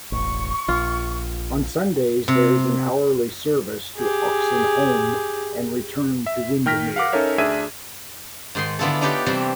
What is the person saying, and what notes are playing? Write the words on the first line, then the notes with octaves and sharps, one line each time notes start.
On Sundays there is an hourly service to Oxenholme and return to Windermere.
E1 A1 C#6
A#1 F4
C3
G4 G#4
E5
D#3 G5 F6 A#6 B6
F5 F#5 D6
C#4 D#4 A4 A#4 C#5 E5
D2 D4 G#4 E5 G#6 D#7
G#2 D#3 C6
D3 B3 E4 F4 G#4 A4
D4 D#4 G4 B4 C#5 D5
C3 E3 G3 C4 C5